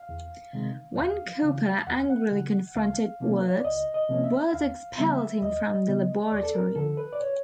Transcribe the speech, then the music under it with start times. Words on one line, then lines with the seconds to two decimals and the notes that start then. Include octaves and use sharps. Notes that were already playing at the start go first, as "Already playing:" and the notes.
When Couper angrily confronted Wurtz, Wurtz expelled him from the laboratory.
Already playing: F5
0.09 E2
0.53 C3 D#3 G#3
0.98 D#2 F5
1.42 C#3 E3
1.87 D#2 F#5
2.10 F#5
2.31 C#3 E3
2.75 C#2 F5
3.20 C3 F3 A#3 C#4
3.48 C#5
3.56 D5
3.64 C#2 D#5
3.94 D#5
4.09 C3 F3 A#3 C#4
4.24 E5
4.53 D#2 F5
4.98 C#3 E3 G3 B3 E5
5.42 D#2 D#5
5.86 C#3 E3 G3 B3
6.31 D#2 D5
6.43 A4
6.54 A#4
6.76 D3 F3 A4
6.97 B4
7.13 D5
7.20 C#5